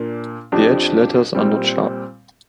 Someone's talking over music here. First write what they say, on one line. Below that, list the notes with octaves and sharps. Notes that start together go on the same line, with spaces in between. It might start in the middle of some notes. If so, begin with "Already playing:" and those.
The edge letters are not sharp.
Already playing: A#2 A#3 D4
F2 F3 D4 G4
A#2 G3 C4